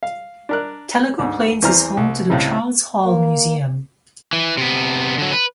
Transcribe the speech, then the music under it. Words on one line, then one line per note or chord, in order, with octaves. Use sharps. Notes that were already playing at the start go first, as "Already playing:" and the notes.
Tellico Plains is home to the Charles Hall Museum.
F5
D4 A#4 F#6
D2 G#2
E2 E3 C4 A#5 F6
C2
C#2 A2 C3
A#3
E3
C3 B3
D3 F#3
B4